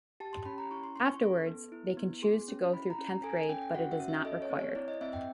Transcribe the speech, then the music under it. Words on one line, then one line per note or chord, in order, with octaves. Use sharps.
Afterwards they can choose to go through tenth grade but it is not required.
G4 A5
C6
C#4 B5
A#5
E4 C#6
C6
C#4 C6
C#6
A4
B3
E4
B3
G#4 C6
C#4
E4 B5
A#5
C#4
A#5
A4 G#5
G#5
C#4 G5
G5
F#4 F#5
E5
C#4
E5
A4 D#5
C#5
C4
C#5
E4 D5
D#5
C4 E5
G5